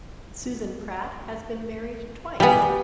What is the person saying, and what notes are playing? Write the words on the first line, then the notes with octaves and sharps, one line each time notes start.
Susan Pratt has been married twice.
G3 B3 G4 G#4